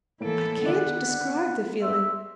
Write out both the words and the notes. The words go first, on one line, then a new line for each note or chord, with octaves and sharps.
I can't describe the feeling.
A2 E3 A#3 A4 D7
D3 D#3 B3 D5 F#5
E5 C6